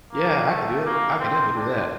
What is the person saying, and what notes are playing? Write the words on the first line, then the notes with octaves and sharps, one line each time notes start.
"Yeah, I could do it, I can definitely do that."
A#3
A3
A#3
C4
D4